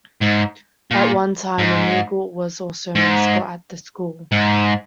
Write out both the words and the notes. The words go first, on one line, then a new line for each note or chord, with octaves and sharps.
At one time an eagle was also a mascot at the school.
G#2
A#2
G#2
G#2
G#2